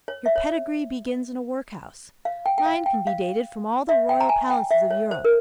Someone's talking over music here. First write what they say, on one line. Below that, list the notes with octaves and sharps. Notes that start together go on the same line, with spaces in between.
Your pedigree begins in a workhouse; mine can be dated from all the royal palaces of Europe.
C#5
E5
C#5
F5
G5
G5
F5
G5
F5
E5
G5
A#5
G#5
G5
E5
C#5
C5
A#4